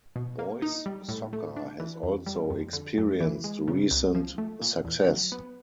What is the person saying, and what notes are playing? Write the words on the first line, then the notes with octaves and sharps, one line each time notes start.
Boys' soccer has also experienced recent success.
B2
A#3
D#4
G3
A2
A3
D4
E3
F2
G3
F2
D3
F#2
E3
G#3
C#3
C2
F3
A3
A#2
E2
F#3
B3